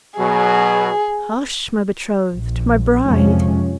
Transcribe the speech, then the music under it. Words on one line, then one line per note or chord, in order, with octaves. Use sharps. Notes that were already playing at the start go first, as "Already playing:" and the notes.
'Hush, my betrothed! my bride!
B2 F#3 G#4
A#1
F2 C3 F3 G#3 C#4